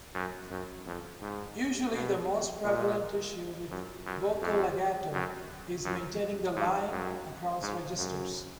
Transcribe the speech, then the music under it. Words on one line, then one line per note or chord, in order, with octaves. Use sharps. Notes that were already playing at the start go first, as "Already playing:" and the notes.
Usually the most prevalent issue with vocal legato is maintaining the "line" across registers.
F#2
F#2
F2
G#2
B2
A#2
F#2
F#2
F2
F#2
F#2
G#2
F#2
G#2
F#2